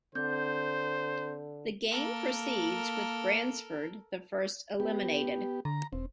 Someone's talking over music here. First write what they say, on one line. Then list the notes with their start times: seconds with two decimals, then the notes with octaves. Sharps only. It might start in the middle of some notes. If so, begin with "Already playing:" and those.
The game proceeds, with Bransford the first eliminated.
0.15 D3 C4 C5 G6
1.91 A#3 A4 A#4
4.80 B3 G4
5.65 D3 A#5
5.93 E1 C4